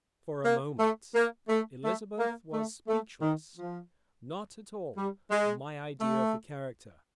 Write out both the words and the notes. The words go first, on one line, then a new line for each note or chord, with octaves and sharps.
For a moment Elizabeth was speechless--not at all my idea of the character.
A#3
A3
A#3
A3
A3
A#3
A3
A3
D#3
F3
G3
G#3
A3